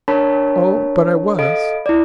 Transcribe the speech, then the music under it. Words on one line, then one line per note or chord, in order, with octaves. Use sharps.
"Oh, but I was."
D4 A#4 C#5 A5 B5
A4 D#5 F5 B5 D7
E4 D5